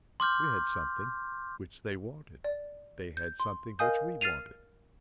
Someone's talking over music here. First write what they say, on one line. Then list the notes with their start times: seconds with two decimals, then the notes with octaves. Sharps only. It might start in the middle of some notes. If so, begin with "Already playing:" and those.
We had something which they wanted; they had something which we wanted.
0.20 C6 D6 F6 G6
2.44 D5
3.17 G6
3.40 C6
3.79 A#4 D#5 F5 G#5 D#6 G6
4.21 F6 A6 C7 D#7 F7